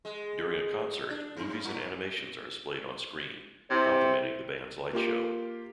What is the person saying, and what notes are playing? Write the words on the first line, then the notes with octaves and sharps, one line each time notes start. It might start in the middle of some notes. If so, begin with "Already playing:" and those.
During a concert, movies and animations are displayed on-screen, complementing the band's light show.
G#3
D4
G2
G#2
C3 E4 C5
A#3 F4 G4